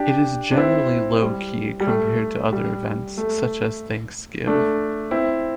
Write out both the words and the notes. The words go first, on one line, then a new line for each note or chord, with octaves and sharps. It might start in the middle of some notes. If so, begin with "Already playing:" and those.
It is generally low-key compared to other events, such as Thanks-Give.
Already playing: D4 G4
D4
C4 E4
G3
G3
A3
G3
A3
A3 D4
C4 E4